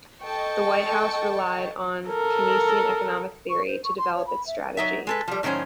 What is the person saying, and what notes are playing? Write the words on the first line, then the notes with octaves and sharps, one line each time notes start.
The White House relied on Keynesian economic theory to develop its strategy.
A4 D#5 G5 A5 C#6
A4 A#4
C#6
C5
C#6
C6
C#5
B5
E5
F#3 D#4 E5
G#3 A4 B4
F3 G3
A2 D#3 F#3 C#4 C5